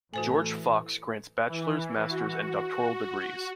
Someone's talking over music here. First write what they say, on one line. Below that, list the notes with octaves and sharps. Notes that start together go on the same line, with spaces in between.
George Fox grants bachelor's, master's, and doctoral degrees.
A2 E3 A3 F#4 C5 G#5
E3
F#4